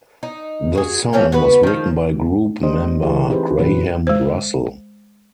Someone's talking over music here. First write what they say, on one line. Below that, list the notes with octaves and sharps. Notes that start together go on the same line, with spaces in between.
The song was written by group member Graham Russell.
D#4
F#4 G#4
E3 F3 C#4 A#4
B3 F#4 B4
D#3 F3
A3 D4 G4 C5 D#5
E3 E4 G4 G#4
C4 D#4 G4 G#4 B4 C5
A#2 C#3 E3 F#3 B4
G#3 C5